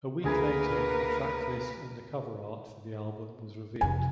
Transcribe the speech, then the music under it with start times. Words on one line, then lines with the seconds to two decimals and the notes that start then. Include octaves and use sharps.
A week later the tracklist and the cover art for the album was revealed.
0.24 D2 A#3 G#4 A#4 B4 G#6
3.81 F1 F2 G#5